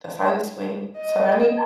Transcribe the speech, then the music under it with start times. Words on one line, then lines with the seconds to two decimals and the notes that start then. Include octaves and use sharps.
That's how you swing, so, I need
0.97 D#5